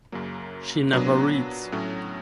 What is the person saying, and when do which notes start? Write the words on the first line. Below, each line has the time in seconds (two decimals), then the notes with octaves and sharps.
She never reads.
0.12 F#2 C#3 F#3 A#3
0.93 A#2 F#3 B3 D4
1.72 A2 F#3 A3 C#4